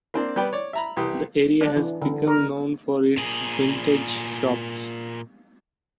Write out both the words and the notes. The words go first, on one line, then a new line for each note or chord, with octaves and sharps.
The area has become known for its vintage shops.
A#3 C4 D4
G3 B3 D5 G5
C#5 D5
E5 A#5 B5
C2 E3 G4 B4 D#6
D4
E3
D3
A#4
A#2 G#4